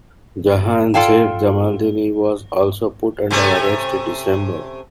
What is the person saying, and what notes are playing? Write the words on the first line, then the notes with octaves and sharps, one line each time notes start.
Jahanzeb Jamaldini was also put under arrest in December.
F4 A4 D5 F5 G5 A5
C3 A3 C#4